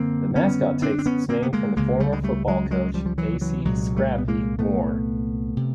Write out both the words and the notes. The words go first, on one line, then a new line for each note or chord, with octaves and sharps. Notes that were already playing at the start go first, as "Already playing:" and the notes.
The mascot takes its name from former football coach A. C. "Scrappy" Moore.
Already playing: F#2 D3 A#3 C4
B3 C#4
C4 D4
C4
B3 C#4
A#3 C4
B3
G#3 A#3
C#2 C#3 G#3 A#3
G3 A3
G#3
G3 A3
F#3 G#3
F#3 G#3
F3 G3
F3
E3 F#3
E3 F#3
C2 A#2 F#3 G#3
G3 A3
B3
G#3 A#3
A3 B3
C3